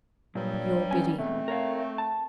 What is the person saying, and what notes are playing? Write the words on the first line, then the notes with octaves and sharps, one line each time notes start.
Your BIDDY.'
G2 A#2 F#3 G3
E2 C#4 G#5
E2 B2 A3 C4
A#4 C#5 F5
A5